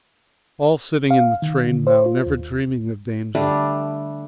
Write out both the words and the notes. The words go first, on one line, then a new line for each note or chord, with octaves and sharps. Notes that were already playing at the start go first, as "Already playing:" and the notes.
All sitting in the train now, never dreaming of danger.
F5
D#3
D3
C5
F4
D#2
D3 G3 A3 D4